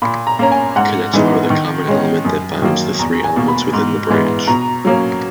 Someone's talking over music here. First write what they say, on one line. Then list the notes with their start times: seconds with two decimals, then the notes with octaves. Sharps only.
Cadets are the common element that binds the three elements within the Branch.
0.02 A#2 B5
0.27 A#5
0.39 A#3 C#4 A#5
0.52 G#5
0.76 G#2 F#5
1.14 E3 G#3 B3 D#4
1.50 D#3
1.88 G#3 C#4
2.25 F#2
2.62 D#3 F#3 A#3
2.99 E2 A#5
3.24 G#5
3.36 B2 A#3
3.48 B5
3.73 G#2
4.10 E3 G#3 B3
4.48 B2 A#5
4.85 F#3 A#3 C#4